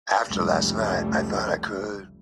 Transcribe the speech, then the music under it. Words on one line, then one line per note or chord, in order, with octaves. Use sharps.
After last night, I thought I could.
F1 C#2 G3 A3